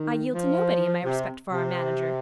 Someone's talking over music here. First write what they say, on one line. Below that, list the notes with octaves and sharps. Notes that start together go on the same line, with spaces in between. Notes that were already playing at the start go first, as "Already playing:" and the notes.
I yield to nobody in my respect for our manager.
Already playing: D#3
F3
C3
C3